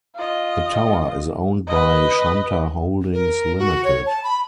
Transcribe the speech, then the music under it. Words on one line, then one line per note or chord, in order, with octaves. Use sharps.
The tower is owned by Shanta Holdings Limited.
F4 D#5
B4 D#5
A#4
F#4
C#5
A5
B5